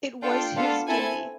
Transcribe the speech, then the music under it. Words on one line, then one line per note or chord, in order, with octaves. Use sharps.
It was his duty.
D4 F4 A4 G5
B3 D4 F4 A4
C4 E4 A4 G#5